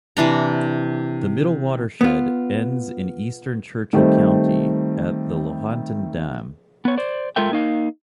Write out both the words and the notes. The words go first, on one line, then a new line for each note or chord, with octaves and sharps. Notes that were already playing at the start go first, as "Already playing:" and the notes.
The middle watershed ends in eastern Churchill County at the Lahontan Dam.
C3 E3 D4 A#5
B3 F4
D#3 G3 A3 C4
B3 C#5
C5 D5
G#3 F4 A4 A#4 E5 G5
A#3 D#4 F5